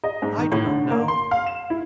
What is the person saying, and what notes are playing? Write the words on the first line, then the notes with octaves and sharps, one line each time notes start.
I do not know.
D#5
G#2
D#3
A2
D3
A#3
C6
F5
E7
E4